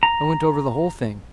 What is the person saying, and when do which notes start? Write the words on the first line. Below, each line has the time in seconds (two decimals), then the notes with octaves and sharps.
I went over the whole thing.
0.03 A#5